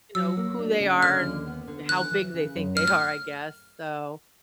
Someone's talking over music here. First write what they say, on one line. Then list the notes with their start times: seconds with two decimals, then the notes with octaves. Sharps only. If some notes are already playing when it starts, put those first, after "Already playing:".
you know, who they are, and how big they think they are, I guess, so
0.15 F#3 E6
0.37 A#3
0.59 D4
0.80 C#3
1.02 D3 F6
1.24 D#2
1.46 B3
1.68 D3
1.89 E3 F#6
2.11 E3
2.34 C#3
2.55 F#2
2.76 A2 F6
2.87 F6